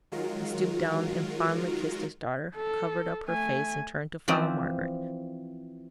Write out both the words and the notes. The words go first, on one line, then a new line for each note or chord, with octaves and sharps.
He stooped down and fondly kissed his daughter; covered up her face, and turned to follow Margaret.
D#3 F#3 G#3 F4 F#4 A#4
A4
A3 G#5
E3 F3 C4 D5